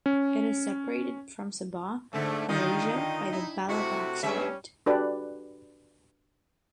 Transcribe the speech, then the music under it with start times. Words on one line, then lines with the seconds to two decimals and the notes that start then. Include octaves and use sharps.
It is separated from Sabah, Malaysia, by the Balabac Strait.
0.06 C#4
2.13 G#2 D3 A3
2.49 D3 D#3 D#4 F4
3.32 E4
3.68 C3 A3 E4 F#4
4.23 G2 G3 G#3 C#4 E5
4.86 D4 F#4 G4 A4 B4 D5